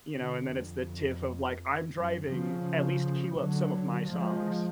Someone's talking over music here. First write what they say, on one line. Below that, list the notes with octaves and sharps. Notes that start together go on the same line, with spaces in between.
you know, and then it's the tiff of, like, "I'm driving, at least queue up some of my songs"
B2 D3
F2
F#2
C#3 F3
D3 F#3
F3 G#3